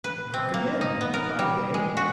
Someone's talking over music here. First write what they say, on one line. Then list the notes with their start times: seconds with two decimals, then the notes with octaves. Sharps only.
'Knock again!' cried they.
0.04 B4
0.34 C4
0.54 A#3
0.81 D#4
1.01 B3
1.14 A#4
1.39 G3
1.74 G#3
1.97 F#4